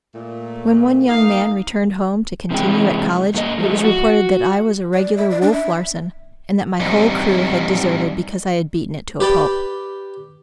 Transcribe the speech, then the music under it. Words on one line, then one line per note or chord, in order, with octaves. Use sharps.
When one young man returned home to continue at college, it was reported that I was a regular Wolf Larsen, and that my whole crew had deserted because I had beaten it to a pulp.
A#2 A3
A#3 D#4 F5
C3 E3 G#3 G5
G2 A#3 A4 D#5
F3 G#3 A3
F#4
D5
E5
D5
D4
E5
G3 A3 C4 D#4
G4 B4 D5 G5